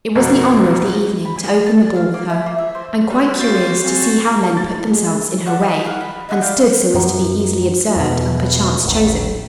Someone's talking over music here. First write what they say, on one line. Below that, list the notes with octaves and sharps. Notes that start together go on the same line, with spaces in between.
It was the honor of the evening to open the ball with her, and quite curious to see how men put themselves in her way and stood so as to be easily observed and perchance chosen.
F2 B2 A#3
B5
G#5
A5
D4
F5
A#3
E4
A#3
E5
C5
G3 C4 F#4
G3 F4 F#4 F5 G6 A6 C7
C4 G#4 C#5
A#5
A5
A6
E4
G#3
A4 D5 F#5 C#6
D#5 B5
G#4 A#4 F5 F#5
B5
D#4 E5 F#5
D5 F5 G5 B5
F#2
E2 B2
D#1 A1